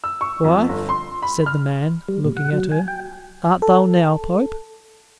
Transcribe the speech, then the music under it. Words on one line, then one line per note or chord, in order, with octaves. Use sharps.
"Wife," said the man, looking at her, "art thou now pope?"
E6
C#6
F2
G1
C6
B5
F6
G3
A#2
F#5
F#3
G#5
G5
A4